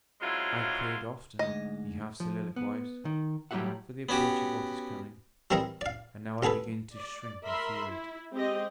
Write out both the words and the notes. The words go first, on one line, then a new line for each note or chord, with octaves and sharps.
'I've prayed often,' he half soliloquised, 'for the approach of what is coming; and now I begin to shrink, and fear it.
C#3 F#3 G#3 C4 E4 F4
D2 G#2 G#3 D#5
F3
B3
D#3
A2 F#3 G3 G4 E5 F#5
B3 C#4 F#4 G4
E3 G3 C4 E4 A#4 D#5
D5 F5
C2 B3 G#4 A4 B4
D5
A#4 E5 B5 C6
E4
G#3 C4 G4 D#5